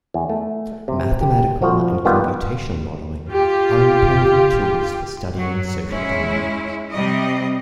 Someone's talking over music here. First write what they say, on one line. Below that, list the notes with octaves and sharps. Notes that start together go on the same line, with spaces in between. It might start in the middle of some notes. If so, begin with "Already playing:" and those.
Mathematical and computational modeling are important tools for studying social dynamics.
E2
A3
C3
G4
C2 F3 F#4
D#3 G3 B3 F4
F4 G4
F#3
G#3 C#4 E4
C3 G3 D#5